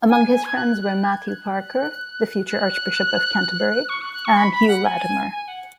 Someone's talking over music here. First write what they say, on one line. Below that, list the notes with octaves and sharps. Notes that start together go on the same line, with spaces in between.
Among his friends were Matthew Parker, the future Archbishop of Canterbury, and Hugh Latimer.
G#5
G#5
G#6
F#6
F#6
G#6
G#6
F#6
F#6
C#6
F#6
F#6
C#6
B5
B5
F#5
G#5
G#5
F#5